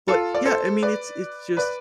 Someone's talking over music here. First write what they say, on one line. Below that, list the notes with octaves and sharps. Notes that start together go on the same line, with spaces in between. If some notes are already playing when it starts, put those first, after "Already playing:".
but, yeah, I mean, it's it's just
F4 A4
D5
A4 C5
B4 D5
B4 D5